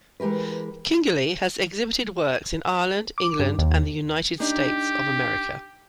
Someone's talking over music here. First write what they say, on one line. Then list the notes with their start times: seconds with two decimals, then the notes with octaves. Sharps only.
Kingerlee has exhibited works in Ireland, England and The United States of America.
0.20 E3 G#3 G4 A#4 B4
3.18 D6
3.39 G2
3.58 D#2
4.40 D4 D#4 G4